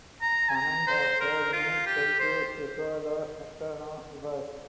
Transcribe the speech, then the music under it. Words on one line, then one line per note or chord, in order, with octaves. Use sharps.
Command of the unit fell to Eduardo Medrano Rivas.
A#5
G#5
A#5
C5
A#4
F4
G4
C5